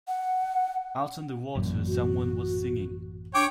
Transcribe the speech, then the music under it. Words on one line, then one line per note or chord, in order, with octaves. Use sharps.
Out on the water someone was singing.
F#5
A1 F#2 A#2
F#4
D4 C#5 G5 D6